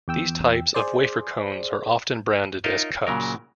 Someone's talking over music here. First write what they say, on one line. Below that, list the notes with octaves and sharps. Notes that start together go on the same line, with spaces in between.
These types of wafer cones are often branded as "cups".
E2 G5 E6
G#4 C5 D5
D#4 F4 A#4 C#5 D#5 E5
A#2 C#3 F#3 A#4